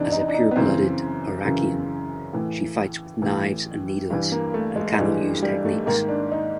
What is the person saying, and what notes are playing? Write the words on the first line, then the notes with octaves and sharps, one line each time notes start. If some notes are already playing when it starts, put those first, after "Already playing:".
As a pure-blooded Orakian, she fights with knives and needles and cannot use techniques.
Already playing: E2 C3 E3 D4 D#4
D#4
D4
D#4
B3
F#2 C#3 E3 C4
F#2 C#3 E3
A2 E3
A2 E3
G2 E3
A#3
A3
G#3
G#3
G2 E3 G3
G3
A3
G#2 D#3 A#3
D4
D#4